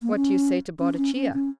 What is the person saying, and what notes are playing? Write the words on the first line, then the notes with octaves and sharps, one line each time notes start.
What do you say to Boadicea?
A#3
C#4
C#4
D4
C#4
C#4
C#4